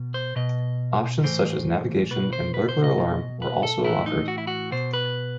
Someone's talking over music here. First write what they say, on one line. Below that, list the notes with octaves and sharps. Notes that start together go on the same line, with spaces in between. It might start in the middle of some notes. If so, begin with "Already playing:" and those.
Options such as navigation and burglar alarm were also offered.
Already playing: B2
C5
B2 D#5
A2 E3 C5
B2 B4
C5
B4
C5
D#5
B2
B4
A4
A2 E3 E4
D#4
F#4
E4
F#4
B2 C5
B4